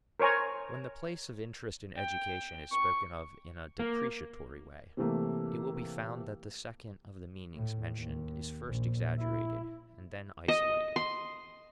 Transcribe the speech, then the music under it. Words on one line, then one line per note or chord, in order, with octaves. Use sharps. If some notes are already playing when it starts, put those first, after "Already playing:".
When the place of interest in education is spoken of in a depreciatory way, it will be found that the second of the meanings mentioned is first exaggerated and then isolated.
A#4 C5 C#5 G#5 A#5
G5
C#6
A#3
C3 E3 A3 A#3
A2
D#2
A#1
E4
D#5
C6